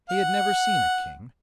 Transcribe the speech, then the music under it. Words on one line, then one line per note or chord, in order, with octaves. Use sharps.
He had never seen a king.
F#5